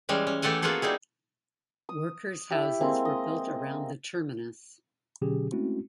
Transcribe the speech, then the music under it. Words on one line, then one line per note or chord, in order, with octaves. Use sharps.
Workers' houses were built around the terminus.
E3 G3 G#3 C#4
C#4
E3 A3 G4 A4 F#5 G#5
A#3 B3 F4 F#4 G#4 A4
G3 D#4 E4 G#4
D#6
E4 G4
G#3 A#3 C4
D#5
B2 D3 F#3 C#4 G4 G#4
G#3 A3 C4 C#4 E4 F#4